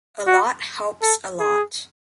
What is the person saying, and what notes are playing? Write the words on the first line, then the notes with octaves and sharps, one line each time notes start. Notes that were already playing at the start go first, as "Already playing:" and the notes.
A lot helps a lot.
F#4
A4
G#4